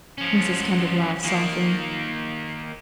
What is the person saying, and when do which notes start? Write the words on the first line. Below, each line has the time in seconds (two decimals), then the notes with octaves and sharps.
Mrs. Kendall laughed softly.
0.18 F3 C#4
1.23 D#3 A#3